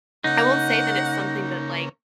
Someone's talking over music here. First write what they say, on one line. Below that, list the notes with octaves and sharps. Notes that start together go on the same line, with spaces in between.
I won't say that it's something that, like,
C#3 A#3 D#4 F#5